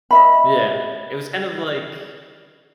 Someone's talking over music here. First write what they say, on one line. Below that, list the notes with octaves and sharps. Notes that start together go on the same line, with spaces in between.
yeah, it was kind of, like
D#5 E5 B5